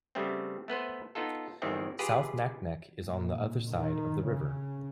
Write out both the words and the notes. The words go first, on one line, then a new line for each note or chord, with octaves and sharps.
South Naknek is on the other side of the river.
C#3 G3 A3 B3 C4
A3 B3 B4 C5
B3 D#4 F4 A4
G1 E2 D#3 E3 C4
F4 G4 G#4 B4
A#2
D#3
C#3